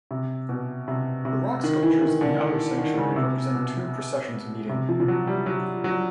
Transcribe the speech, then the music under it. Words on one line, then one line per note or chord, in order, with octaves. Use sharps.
The rock sculptures in the outer sanctuary represent two processions meeting.
C3
B2
C3
C3
D#3
E3
D#3
D3
D#3
D#3
C#3
C3
B2
C3
F3
F3
F#3
G3
F#3
F#3